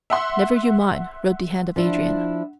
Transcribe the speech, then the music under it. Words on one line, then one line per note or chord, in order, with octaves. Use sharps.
"Never you mind," wrote the hand of Adrian.
E5 F#5 C6
F3 D4 E4